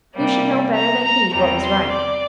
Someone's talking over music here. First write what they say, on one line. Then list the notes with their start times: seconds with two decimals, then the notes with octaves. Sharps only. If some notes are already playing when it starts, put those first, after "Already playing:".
Who should know better than he what was right?
0.15 C3 G3 A#3
0.74 A#5
1.02 A#5
1.31 E2 C3 G3 A#5
1.61 C6
1.90 D5